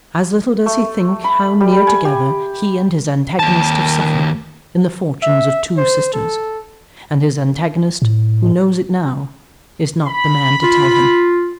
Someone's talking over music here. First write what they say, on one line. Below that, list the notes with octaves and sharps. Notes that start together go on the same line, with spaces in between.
As little does he think how near together he and his antagonist have suffered in the fortunes of two sisters, and his antagonist, who knows it now, is not the man to tell him.
A3
B5
G3
G#5
G4
D#2 A5
E5
C5
A4
A2
B5
F4